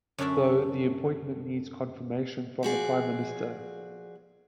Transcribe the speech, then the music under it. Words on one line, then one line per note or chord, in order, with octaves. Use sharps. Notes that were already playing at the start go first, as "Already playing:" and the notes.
Though, the appointment needs confirmation from the Prime minister.
F#2 D3 C#4 D4 D5 E5
F3 F#4 G#4 D5